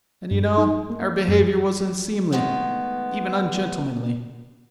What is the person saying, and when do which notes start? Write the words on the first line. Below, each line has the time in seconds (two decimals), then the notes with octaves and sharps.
And, you know, our behaviour was unseemly, even ungentlemanly.
0.31 G2
0.57 D#4
0.90 A#3
1.28 F#2
2.32 D#3 G#3 A3 B3